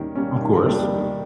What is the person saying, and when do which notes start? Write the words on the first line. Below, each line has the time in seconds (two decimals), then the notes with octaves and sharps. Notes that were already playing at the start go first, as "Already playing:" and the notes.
Of course.
Already playing: D#3 G3 A#3 C#4
0.15 G3 A#3 C#4
0.41 D#3
0.66 G3 A#3 D4
0.93 D#3